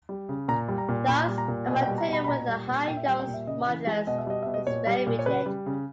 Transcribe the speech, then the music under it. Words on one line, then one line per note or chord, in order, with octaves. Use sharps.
Thus, a material with a high Young's modulus is very rigid.
G3
C#3
A#2 A#5
G3
A#5
A#2
A#2 B5
G3
A#5
A#2
B2 G#5
G5
G3
A#5
B2 B5
B5
A#2 A#5
G3
A#2
A#2 G5
E5
G3 G5
G5
A#2
E5
C#3 D#5
E3
G#3
B2 D#5
E5
G3 D#5
B2 E5
D#5
A#2 C#5
G3
A#2
C#5
C#3 B4
G3
C#3